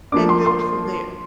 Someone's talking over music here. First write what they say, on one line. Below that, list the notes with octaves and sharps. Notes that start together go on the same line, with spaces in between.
And build from there,
F3 A#3 D4 D6
C6
C6